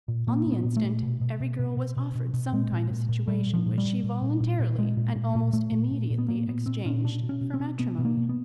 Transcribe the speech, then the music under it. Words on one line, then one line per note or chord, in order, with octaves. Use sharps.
On the instant, every girl was offered some kind of situation, which she voluntarily and almost immediately exchanged for matrimony.
A#2
A#2 A#3
A#2
B3
A#2
A3
A#2
B2
B2
B2
B2
B2
B2
B2
B2
A#2 G#3
A#2
A#2
A#2
A#2 G3
A#2
F3
A#2
G3
A#2
A#2
A#2
A#2
A#2
A#2 G#3
A#2
A#2
A#2
A#2 A3
A#2
A#2
A#2
B3
A#2 A#3
A#2 B3
A#2 C4
A#2 C#4
B2 D4
B2
C#4
B2
C4
B2
B2 B3
B2 B3
A#3
B2
B3